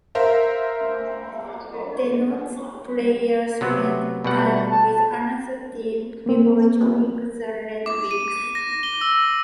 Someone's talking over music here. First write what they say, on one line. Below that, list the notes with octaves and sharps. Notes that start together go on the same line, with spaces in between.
Denotes player spent time with another team before joining the Red Wings.
A#4 C5 E5 F5
C3 F#3 B3
B2 G3 F#5
A5
A#3 C4
D6
D#7
A#6
G7
E6